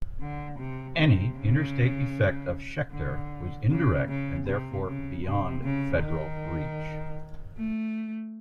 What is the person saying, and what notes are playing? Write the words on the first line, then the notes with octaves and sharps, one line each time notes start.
Any interstate effect of Schechter was indirect, and therefore beyond federal reach.
D3
C3
C3
C#3
D3
C#3
C#3
C3
C#3
C3
C#3
D#3
A3